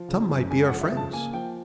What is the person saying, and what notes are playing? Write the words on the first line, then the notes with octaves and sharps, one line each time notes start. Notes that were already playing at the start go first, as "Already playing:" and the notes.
Some might be our friends.
Already playing: F3
C#3
F#2
G#3 G#5
F#5
F3
E5
C#3 A5
A#3 G#5
F3 G5